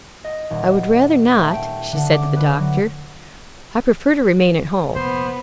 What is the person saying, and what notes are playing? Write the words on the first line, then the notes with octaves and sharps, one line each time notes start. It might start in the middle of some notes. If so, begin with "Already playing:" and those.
'I would rather not,' she said to the Doctor. 'I prefer to remain at home.
D#5
D#1
A3
G5
D3
D6
B4
F#3
F1 A#2 B3 C5